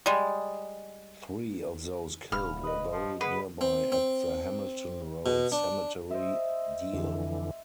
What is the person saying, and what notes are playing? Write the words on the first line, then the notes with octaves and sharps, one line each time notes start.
Three of those killed were buried nearby at the Hamilton Road Cemetery, Deal.
G3 G#3
D#1 F5 B5 F6
B4 D#5 D#6
F3
G#4 B4 F#5
C4
C4
B2
D4
C5 D#5 E5
F2 D3 E3